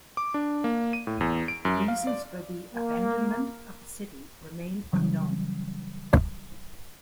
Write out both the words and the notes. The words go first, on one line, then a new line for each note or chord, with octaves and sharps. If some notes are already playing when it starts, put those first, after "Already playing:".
The reasons for the abandonment of the city remain unknown.
D6
D4
A#3
D#7
A2
E2
D7
F#2
F5
D5
A#3
C#3 E3 F#3 G3